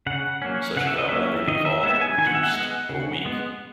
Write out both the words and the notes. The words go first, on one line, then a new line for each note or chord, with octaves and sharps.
Such a vowel may be called "reduced" or "weak".
C#3 F#5
F#3 A#3 C#4
C#3 F#5
E5
D#5
F#3 A#3 C#4 E5
D#3 D#5
E5
G#3 B3 E5
G#5
D#3 G#5
F#5
E5
F#5
G#3 B3
C#3
G#3 B3